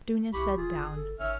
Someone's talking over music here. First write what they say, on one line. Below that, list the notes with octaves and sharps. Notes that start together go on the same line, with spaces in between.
Dounia sat down.
C2 E3 G4 B5 C#6
D#1 F4 G#4
G1
A4
G#1 D#3 C#4 E5 F6